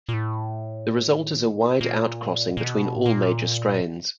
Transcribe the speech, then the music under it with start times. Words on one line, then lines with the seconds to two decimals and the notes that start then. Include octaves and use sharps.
The result is a wide outcrossing between all major strains.
0.09 A#2
0.14 A2
0.91 A#2
0.97 A2
1.81 A#2
2.57 A#2
2.64 B2
2.96 A2
3.06 A#2